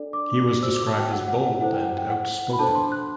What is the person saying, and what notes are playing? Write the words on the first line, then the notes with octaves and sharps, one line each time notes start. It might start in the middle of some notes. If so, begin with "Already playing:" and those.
He was described as bold and outspoken.
Already playing: D4 A4 D5
D6
F#4 C5 E6
D6
A5
G5
F#5
F#5
F#5
E4 A4 C5 F#5
G5
F#5
G5
F#5
B5
D4 A4 C5 A5
C6
F#6